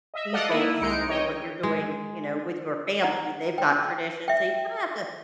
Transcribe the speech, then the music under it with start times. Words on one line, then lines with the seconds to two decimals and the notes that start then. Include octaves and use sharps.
these days or what you're doing, you know, with your family. They've got traditions, so you kinda have to
0.14 D#5 E5
0.33 A4 D5 D#5 F5 F#5
0.49 A#3 E4
0.81 C2 G#3 D#4 C#7 D7
1.08 C#5 D#5 G5
1.63 G#3
3.02 D#4 F#5 A#5
3.58 G5 C6
4.28 E5 G5